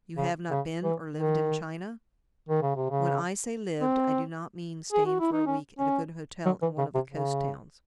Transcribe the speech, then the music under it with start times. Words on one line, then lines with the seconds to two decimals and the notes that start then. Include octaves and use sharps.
You have not been or lived in China? When I say lived I do not mean staying for a week at a good hotel in one of the coast towns.
0.17 C#3
0.50 C#3
0.84 E3
1.16 D#3
2.49 D#3
2.62 C#3
2.76 C3
2.90 C#3
3.81 C4
4.93 G#4
5.06 F#4
5.20 E4
5.33 D#4
5.46 C#4
5.79 C#4
6.46 F#3
6.62 E3
6.78 C#3
6.95 C3
7.11 C#3